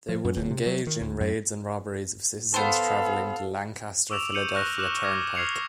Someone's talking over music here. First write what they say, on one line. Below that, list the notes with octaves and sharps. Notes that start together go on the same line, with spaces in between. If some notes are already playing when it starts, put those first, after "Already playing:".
They would engage in raids and robberies of citizens traveling the Lancaster Philadelphia Turnpike.
F3
F#2
D1
C3
F#3
D#3
D2
F#2
B3 A4 C5 F5
C#6 D6 E6 D7 E7 F7
G6 C#7 D#7 F7 F#7
C#6 F6 F#6 A#6
D6 F6 F#6 E7 F#7
D6 F6 F#6 G#6 A#6
F6 G#6 C7 C#7 F7